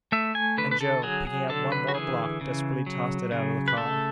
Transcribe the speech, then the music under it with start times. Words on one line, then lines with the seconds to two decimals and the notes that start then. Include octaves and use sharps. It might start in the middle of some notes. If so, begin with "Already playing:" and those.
And Joe, picking up one more block, desperately tossed it out of the car.
0.12 A3 E5
0.35 G#5
0.58 D3 B4
0.71 B4
0.81 A4
1.03 F#3 G#4
1.27 G#4
1.49 D3 A4
1.72 B4
1.88 F#4
1.95 E3 G#4
2.41 C#3
2.86 F#3
3.32 C#3
3.68 B4
3.77 A3 A4